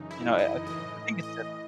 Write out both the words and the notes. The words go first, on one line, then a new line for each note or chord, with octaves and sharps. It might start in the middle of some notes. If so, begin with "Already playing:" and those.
you know, I I I think it's different.
Already playing: F#2 C#3 E3 D#4
E4
D#5
A2 E3 D#5
D#5